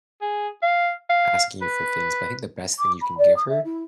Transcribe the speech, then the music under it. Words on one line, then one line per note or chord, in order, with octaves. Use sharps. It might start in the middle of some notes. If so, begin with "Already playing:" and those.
asking you for things but I think the best thing you can give her
G#4
F5
F5
B4
D6
B5
D5
D#6
E5
E4